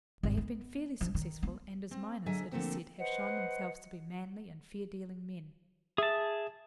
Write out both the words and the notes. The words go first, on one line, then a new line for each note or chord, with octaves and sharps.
They have been fairly successful, and as miners, it is said, have shown themselves to be manly and fair-dealing men.
G#1
B3
F3
D#3
B3
C4
D3 F#3 G#4 D#5 E5 G#5
D3 F3 A3 A#3 C4
B4 C5 D#5 F#5
G#4 E5 A5